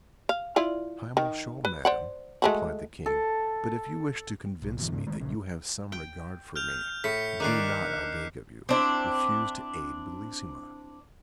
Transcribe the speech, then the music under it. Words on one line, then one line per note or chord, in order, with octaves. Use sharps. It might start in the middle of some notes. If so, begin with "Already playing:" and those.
"Time will show, madam," replied the King; "but if you wish to convince me that you have some regard for me, do not, I beg of you, refuse to aid Bellissima."
F5
E4 F4 D5
D#3
B4
C5 D5 F#5
G#3 A3 F#4
A4
B1
G1 B2 E3
G#2 C#3
D#3 G#3 A3
A#1 C#3
G5
F6 G6 F7
A2 B6 C#7
D#3 D4 D6 F#6 C7
C4 D4 E4